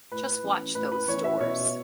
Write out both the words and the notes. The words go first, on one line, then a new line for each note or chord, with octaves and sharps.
Just watch those doors!
A2 B4
E3 C#4
A2 B4
B4
E3 C#4 C#5
E5
B2 C#5